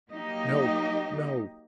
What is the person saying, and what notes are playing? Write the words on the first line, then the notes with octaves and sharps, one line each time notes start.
No, no.
F#3 A#3 D#4 G4 D#5